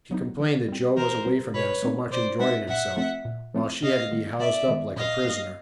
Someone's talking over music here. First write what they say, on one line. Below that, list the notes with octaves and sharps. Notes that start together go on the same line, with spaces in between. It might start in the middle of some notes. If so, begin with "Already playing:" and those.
She complained that Joe was away from them so much enjoying himself, while she had to be housed up like a prisoner.
F#3 B3 D#4
E3
G3 C4
E3 A#4 C5
G3 C4
B2 B4 C#5
G#3 C4 D#4
B2 C5 D5
G#3 C4 D#4 E5 F#5
A#2 E5 F#5
F3 A3 C4 F4
A#2
F3 A3 C4 F4
C3 D#5 F5
D#3 G#3 B3
C3 D5 E5
D#3 G#3 B3
A#2 D#5 F5
G3 A#3